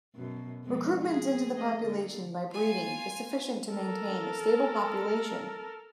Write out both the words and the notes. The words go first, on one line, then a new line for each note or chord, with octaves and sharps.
Recruitment into the population by breeding is sufficient to maintain a stable population.
F#2 B2
F2 G#3 B3
G#4
A3 G#4 D#5
D3 A#3
F4 G#5
A4 A#4